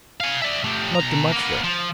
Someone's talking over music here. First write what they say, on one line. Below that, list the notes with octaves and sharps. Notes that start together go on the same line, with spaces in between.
Not too much, though.
F5 G#5
D5 E5
A3 G4
B2 A#5
A#3 B3
F3